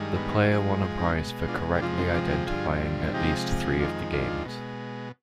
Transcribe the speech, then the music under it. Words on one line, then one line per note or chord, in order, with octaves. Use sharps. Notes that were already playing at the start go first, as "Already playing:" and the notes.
The player won a prize for correctly identifying at least three of the games.
Already playing: G2 D#3 G#3
B3
G#2 F3 G#3
C4
C4 D#4
B2 G#3
D4 F4
G4
F2 C3 F3 G#3 D4 F4
C4 D#4
D4 F4
D#4 G4
G2 D3 F3 F4 G#4
C3 F3 G#3 D#4 G4
F2 D#3 G#3 D4 F4
D4 F4
B2 G#3